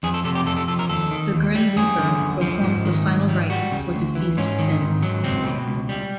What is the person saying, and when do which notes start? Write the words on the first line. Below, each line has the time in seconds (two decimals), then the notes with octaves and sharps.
The Grim Reaper performs the final rites for deceased Sims.
0.03 F2 G#4
0.14 A4
0.24 C3 A4
0.35 G4
0.46 F2 A4
0.57 A4
0.68 F3 A4
0.79 A#4
0.90 D#2 A4
1.11 D#3
1.34 D#2
1.55 G3
1.76 F#2 G#4
1.98 D3
2.20 F#2
2.41 F3
2.63 G#2
2.85 D#3
3.07 G#2
3.29 G3
3.50 G3 F#4
3.72 C#3
3.94 D2
4.15 E3
4.37 G#2 C#4
4.59 D#3
4.81 G#2
5.02 F#3
5.24 C#2 C4
5.46 B2
5.67 C#2
5.89 G3